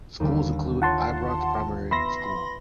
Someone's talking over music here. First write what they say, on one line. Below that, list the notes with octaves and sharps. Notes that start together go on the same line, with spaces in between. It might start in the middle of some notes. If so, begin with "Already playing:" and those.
Schools include Ibrox Primary School.
D#2 D3 G3
F4 C#5 F#5 A5 C6
B3 E5 B5 C6 A#6 E7